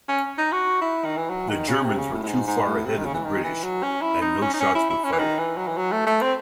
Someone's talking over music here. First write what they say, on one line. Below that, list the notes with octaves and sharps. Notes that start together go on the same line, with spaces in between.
The Germans were too far ahead of the British, and no shots were fired.
C#4
D#4
F#4
E4
D#3
E3
F#3
D#3
C#3
C3
C#3
A2
A2
G#2
G#2
A2
C3
D#3
C#3
E3
D#3
E3
F#3
C#4
E4
D#4
C#4
D#4
C#4
E4
E4
C#4
E3
D#3
E3
F#3
E3
F#3
A3
A3
C4